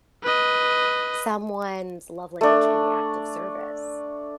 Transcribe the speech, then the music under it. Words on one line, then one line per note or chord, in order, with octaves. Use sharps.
someone's love language could be act of service,
B4 D#5
A3 D4